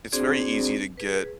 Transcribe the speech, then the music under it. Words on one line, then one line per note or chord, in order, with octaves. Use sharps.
it's very easy to get
C4 D4 F#4 G#4 C5 D5
G#4 B4